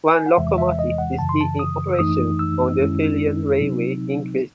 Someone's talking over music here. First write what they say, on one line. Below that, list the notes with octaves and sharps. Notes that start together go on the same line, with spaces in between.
One locomotive is still in operation on the Pelion railway in Greece.
G#5
F#5
E2 C3 E3 G#3 E5
E5
D#5
F#5
F#2 C#3 E3 A5
C6
A5
D#6
E6
F#2 E3 A3 D#4 D#6
E6
F#2 D#3 G#3 C#4 E4
C3 F#3 C4 D#4